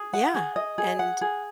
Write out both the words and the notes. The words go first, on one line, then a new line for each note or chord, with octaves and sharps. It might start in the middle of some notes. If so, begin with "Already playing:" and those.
yeah, and
Already playing: G#4
F#5
G#4
D#5
G#4
F#5
G#4